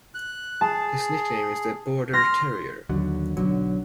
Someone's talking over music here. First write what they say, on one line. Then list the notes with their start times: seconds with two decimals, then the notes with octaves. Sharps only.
His nickname is the "Border Terrier".
0.14 F#6
0.61 G#4 A5
2.13 C6 F6 A#6
2.89 D#2 D3 F#3
3.37 B1 D3 F#3